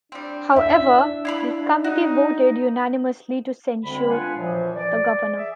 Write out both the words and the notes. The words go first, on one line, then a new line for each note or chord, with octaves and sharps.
However, the committee voted unanimously to censure the governor.
G3 C4 D4
E5
E4 F5 B5
D#4 F#4
D2 D3 G#3 C4 B5
B3 D4 F4 F5 F#5 G#5
F#2 A#2 E3 F3
D5
G#4 D5 E5